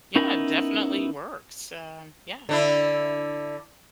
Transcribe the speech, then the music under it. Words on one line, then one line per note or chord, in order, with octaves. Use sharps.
Yeah, definitely works. Um, yeah.
B3 C#4 D#4 E4 A#4
D3 D4 E4